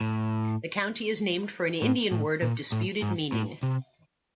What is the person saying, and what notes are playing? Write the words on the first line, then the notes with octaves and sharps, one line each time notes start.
The county is named for an Indian word of disputed meaning.
A2
A2
A2
A#2
A2
G#2
A2
C3